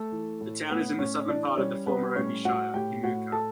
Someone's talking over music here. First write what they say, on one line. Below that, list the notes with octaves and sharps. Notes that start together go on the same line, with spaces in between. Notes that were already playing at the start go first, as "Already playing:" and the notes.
The town is in the southern part of the former Obi Shire, Himuka.
Already playing: A3 A4
E3
A2
A2 B3 B4
A2 C#4 C#5
E3 D4 D5
G3 C#4 C#5
G3 B3 B4
A2 C#4 C#5
A2 F#4 F#5
A2 G4 G5
A2 F#4 F#5
A4 A5